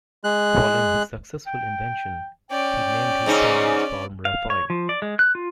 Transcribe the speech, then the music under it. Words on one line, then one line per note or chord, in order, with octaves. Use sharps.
Following his successful invention, he named his family's farm Raphine.
G#3 F#6
G5
C#4 D5 G5
G#2 C#3 D#4
F5
C#5
F3
D5
G#3
F#6
F4